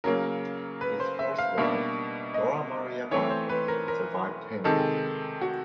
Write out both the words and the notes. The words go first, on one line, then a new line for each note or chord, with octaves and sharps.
His fourth wife, Dora Maria Barker, survived him.
C#3 F#3 A#3 A#4
B4
C5
E5
F5
B2 G3 A#3 D4 E5
D#5
E3 A3 C4 C#5
C5
B4
A#4
A#4
C3 D#3 G#3 A4
F#4